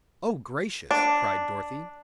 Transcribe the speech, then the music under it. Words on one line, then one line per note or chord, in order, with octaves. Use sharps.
"Oh, gracious!" cried Dorothy.
D4